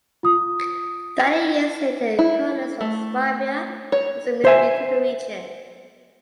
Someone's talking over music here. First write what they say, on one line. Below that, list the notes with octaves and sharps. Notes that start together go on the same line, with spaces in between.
Thirty years later colonists from Swabia also moved into the region.
F4 D#6
E4
A3
C#5
C5 E5 G#5